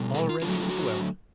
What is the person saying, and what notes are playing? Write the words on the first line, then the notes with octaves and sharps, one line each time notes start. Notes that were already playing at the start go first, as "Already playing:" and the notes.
"All ready to go out."
Already playing: B2 G3
A4
F4
D3 F#3 A3 F4
F4
F#4